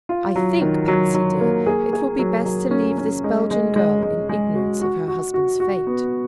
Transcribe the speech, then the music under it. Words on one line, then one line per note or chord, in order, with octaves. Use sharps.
"I think, Patsy dear, it will be best to leave this Belgian girl in ignorance of her husband's fate."
F4
F#3
D#3
F#3
F#3
A#3
G#4
G#4
F#3
F#3
C#4
C#4
G#3
G#3
G#3
G#3
G#3
F#4
F#4
F#4
F#4
F#4
B3